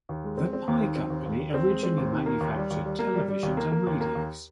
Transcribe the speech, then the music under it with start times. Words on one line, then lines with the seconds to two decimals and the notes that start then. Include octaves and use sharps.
The Pye Company originally manufactured televisions and radios.
0.09 D#2
0.24 G#3
0.37 C4
0.53 C4
0.68 D#2
0.81 D#3
0.95 C4
1.10 D#2
1.25 D#2
1.40 D#2
1.54 C4
1.68 G#3
1.83 C4
1.98 D#2
2.13 D#3
2.26 A#3
2.40 D#2
2.56 G3
2.70 D#2
2.85 G3
2.99 A#3
3.14 G3
3.28 G3
3.43 D#2
3.57 A#3
3.72 A#3
3.87 D#2
4.00 A#3
4.15 D#2